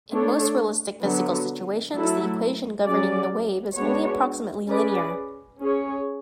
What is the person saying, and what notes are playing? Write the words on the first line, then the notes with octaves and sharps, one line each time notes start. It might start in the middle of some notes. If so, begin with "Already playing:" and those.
In most realistic physical situations, the equation governing the wave is only approximately linear.
A3 D4 A4 C#5
D3 F#3 B3
F#3 A3 E4 A4
F#3 C#4 G#4 D5
G#3 B3 D4 F#4 C#5
C#4 G#4 B4 D5
C#4 G#4 C#5